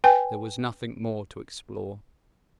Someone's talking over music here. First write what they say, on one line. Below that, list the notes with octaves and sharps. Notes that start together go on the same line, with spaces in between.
There was nothing more to explore.
B4 G5 G#5